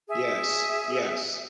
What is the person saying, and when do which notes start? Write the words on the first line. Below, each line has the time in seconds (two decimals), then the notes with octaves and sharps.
Yes, yes,
0.08 G#4 E5